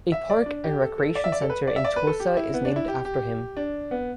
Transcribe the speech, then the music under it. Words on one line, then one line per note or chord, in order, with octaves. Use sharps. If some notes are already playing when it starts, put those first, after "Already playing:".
A park and recreation center in Tulsa is named after him.
E5
D5
D4
G4
A4
A4
D5
E5
D5
A4
B4
D5
E5
D5
B4
A4
G4
E4
B3
D4
E4
G4
G4
D4
B3